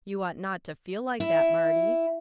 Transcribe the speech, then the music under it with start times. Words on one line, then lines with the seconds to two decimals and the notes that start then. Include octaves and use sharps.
"You ought not to feel like that, Marty."
1.20 E4